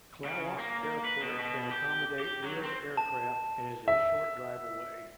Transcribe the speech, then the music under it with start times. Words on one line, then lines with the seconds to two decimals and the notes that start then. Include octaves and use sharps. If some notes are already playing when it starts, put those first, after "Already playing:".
Klawock Airport can accommodate wheeled-aircraft and is a short drive away.
0.25 C#3
0.59 A#3
1.05 B4
1.21 B2
1.38 B2
1.71 G4
2.20 G4
2.44 F#3
2.63 C4
2.97 A5
3.88 E5